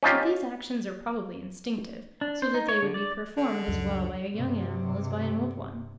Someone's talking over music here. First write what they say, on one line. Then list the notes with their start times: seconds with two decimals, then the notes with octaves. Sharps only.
But these actions are probably instinctive, so that they would be performed as well by a young animal as by an old one.
0.03 C#4 D#4 F4 G4
2.21 D4
2.42 C5
2.54 D#4
2.69 C#5
2.82 D3
2.94 D5
3.37 D3
3.68 C#2 F#2
4.33 G2 C3